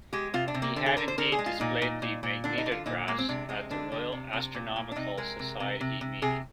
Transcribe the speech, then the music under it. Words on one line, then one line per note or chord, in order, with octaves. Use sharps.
He had indeed displayed the magnetographs at the Royal Astronomical Society meeting.
G#3 G4
C3 F4
D4
C3
A#3
D3
G#4
D3 A#4
C5
D3 A#4
G#4
G#3
F4
A#2 D#4
A#2
A#2
A#2
D3 D4
D#4
D3
F4
A#2 D#4
G#3 A#3
C4
C3 D4
G#3 C4
D3 D4
D3
C3
C3
A#2
A#2
D4
C3 D#4
G#3 A#4
C3
C3
C3
C3
C3 G#4